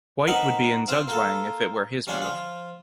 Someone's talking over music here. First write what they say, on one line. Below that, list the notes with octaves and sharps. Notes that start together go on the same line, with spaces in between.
White would be in zugzwang if it were his move.
B3 C4 D#4 A#4 B4 F#5
C4 F4 C5
A#3 F4 A4
G3 C#4 D4 F4
F3 F4